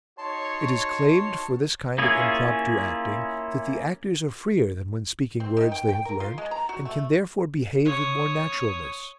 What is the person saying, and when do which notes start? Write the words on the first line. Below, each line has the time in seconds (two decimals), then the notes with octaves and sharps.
It is claimed for this kind of impromptu acting that the actors are freer than when speaking words they have learnt, and can therefore behave with more naturalness.
0.18 D#4 F#4 C#5 A5 C6
1.98 A#3 C#4 E4 F4 G#4
5.40 C4
5.57 D#3
5.72 G5
5.89 G5
6.05 A#4
6.20 F4
6.38 G#3
6.51 A#5
6.69 F#4
6.85 A3
7.85 C#5 D#6